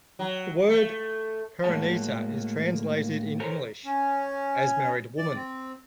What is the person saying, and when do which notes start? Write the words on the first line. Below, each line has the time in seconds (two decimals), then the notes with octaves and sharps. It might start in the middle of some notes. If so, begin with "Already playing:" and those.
The word "Parineeta" is translated in English as "married woman".
0.19 F#3
0.69 A3
1.64 A2 G#3 A#3 F#4 C#5 A5
3.40 A4 A#4 C5 C#5 A#5
3.85 C#4
5.18 D5
5.35 C4